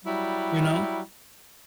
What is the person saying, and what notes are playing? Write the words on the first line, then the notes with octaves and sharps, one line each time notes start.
You know?
F#3 G3 E4